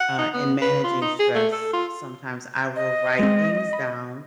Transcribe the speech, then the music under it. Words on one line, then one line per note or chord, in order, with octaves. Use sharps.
uh, in managing stress, sometimes I will write things down,
F#5
D#4
B3
B4
F4
D#4
G#4
A3
A4
F4
D#5
G#3 C4
B5